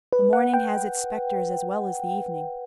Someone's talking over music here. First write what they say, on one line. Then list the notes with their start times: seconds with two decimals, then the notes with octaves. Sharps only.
The morning has its spectres as well as the evening.
0.13 B4
0.33 F#5
0.54 G5